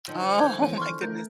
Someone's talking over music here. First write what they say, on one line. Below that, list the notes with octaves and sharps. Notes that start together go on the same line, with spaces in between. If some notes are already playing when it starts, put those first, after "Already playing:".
Oh, my goodness.
D3 F3 D#4
C#7
D#3 G6 G#6
D#3 E3 B3 C#5 G#5 D#7
C6 C#6 F6
A3 A#4 G6